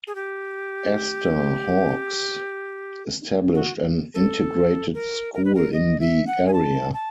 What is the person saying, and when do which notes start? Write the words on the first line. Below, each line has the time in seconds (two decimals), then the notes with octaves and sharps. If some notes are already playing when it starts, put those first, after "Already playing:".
Esther Hawks established an integrated school in the area.
0.07 G#4
0.15 G4
3.54 F#4
4.14 A4
4.94 A#4
5.34 A#4
5.45 B4
5.55 A#4
5.73 D#5
6.00 E5
6.27 F#5
6.47 G#5
6.53 A5
6.94 A5